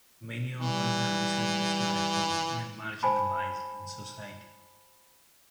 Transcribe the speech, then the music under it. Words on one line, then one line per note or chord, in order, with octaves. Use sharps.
Many of us are misunderstood at home and marginalised in society.
E3 G3
C5 G#5 A5 B5